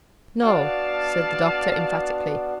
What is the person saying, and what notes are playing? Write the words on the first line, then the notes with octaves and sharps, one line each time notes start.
"No," said the doctor emphatically.
B3 D4 F#4 D5 F5 A5